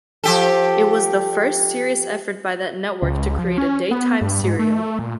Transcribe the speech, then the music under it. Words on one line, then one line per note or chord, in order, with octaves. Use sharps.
It was the first serious effort by that network to create a daytime serial.
F3 G4 A4
C#2
F3
C#4
B3
G2
G#2
A3
A#2